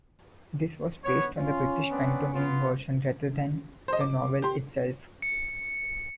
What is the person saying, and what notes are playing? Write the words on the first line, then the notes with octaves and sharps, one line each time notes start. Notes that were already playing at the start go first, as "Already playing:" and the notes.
This was based on the British pantomime version rather than the novel itself.
B3 C#5
C#4 F4
B3 C4 D4
B3 F4
C5 D#5
D6
G4 C6
C#7